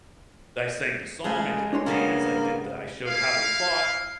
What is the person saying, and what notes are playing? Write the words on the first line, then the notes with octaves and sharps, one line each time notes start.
I sang the song, I did a dance, I did the I showed how they fought.
C#3 G#3 A3
D4 C#5 C6
C#3 G3 A#3 B3
E4 F5